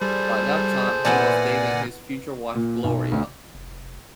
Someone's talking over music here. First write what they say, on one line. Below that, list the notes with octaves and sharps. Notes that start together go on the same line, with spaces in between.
By that time, he was dating his future wife Gloria.
G3 G#4 A4 C5
A#2 B3 E4 D5 F#5 G#5 A5
A#2
B1
D2
F1